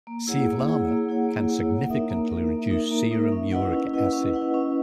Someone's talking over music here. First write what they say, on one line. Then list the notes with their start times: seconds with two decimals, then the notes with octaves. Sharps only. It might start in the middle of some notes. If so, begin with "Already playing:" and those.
Sevelamer can significantly reduce serum uric acid.
0.07 A#3
0.27 E4 G#4 C#5 F#5
0.47 A#3
0.67 E4 G#4 C#5 F#5
0.88 A#3
1.09 E4 G#4 C#5 F#5
1.29 A#3
1.49 E4 G#4 C#5 F#5
1.70 A#3
1.89 D#4 A#4 E5
2.10 A#3
2.30 D#4 A#4 E5
2.51 A#3
2.71 D#4 A#4 E5
2.91 A#3
3.11 D#4 A#4 E5
3.32 C#4
3.52 E4 B4 D#5 F#5
3.73 C#4
3.93 E4 B4 D#5 F#5
4.13 C#4
4.34 E4 B4 D#5 F#5
4.54 C#4